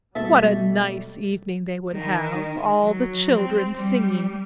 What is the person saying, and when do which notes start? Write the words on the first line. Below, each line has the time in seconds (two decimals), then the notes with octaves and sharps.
What a nice evening they would have, all the children singing!
0.15 B2 G3 A3 A4 E5
1.93 D#3
2.80 F#3
3.35 C4
3.76 G3